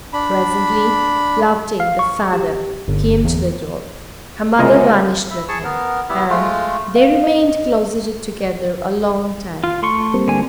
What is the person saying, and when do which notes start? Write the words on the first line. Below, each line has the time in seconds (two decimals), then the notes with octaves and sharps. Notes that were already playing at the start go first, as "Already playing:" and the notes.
Presently Loveday, the father, came to the door; her mother vanished with him, and they remained closeted together a long time.
0.13 D4 B5
1.80 F5
1.99 C#6
2.33 G4
2.88 G1
3.25 E2
4.59 F#2 C#3 G#3 C4 F4 A#4 D#5
5.30 E5 B5
5.48 G#4 A5 C#6
5.64 B3 A#4
6.09 G3 B3 E4
6.30 G#3 A3 F4
6.96 F5
7.24 D#5
9.64 F4
9.82 A3 C6 C#6
10.14 G3 A#3 C4
10.28 D3 G#5